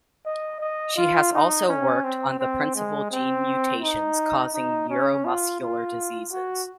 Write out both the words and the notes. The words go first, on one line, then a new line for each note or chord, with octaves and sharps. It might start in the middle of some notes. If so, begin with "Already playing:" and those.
She has also worked on the principal gene mutations causing neuromuscular diseases.
D#5
D#5
F4
D#4
C#4
C4
C4
G#3
C4
D#4
D#4
C#4
F4
F4
F#4